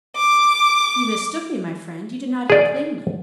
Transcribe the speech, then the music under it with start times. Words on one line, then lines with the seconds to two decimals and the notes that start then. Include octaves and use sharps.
"You mistook me, my friend; you did not hear plainly."
0.16 D6
2.50 G#4 D5